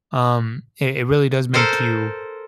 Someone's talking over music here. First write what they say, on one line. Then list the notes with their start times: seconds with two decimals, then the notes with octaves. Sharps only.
um, it it really does make you
1.54 A4 A#4 C5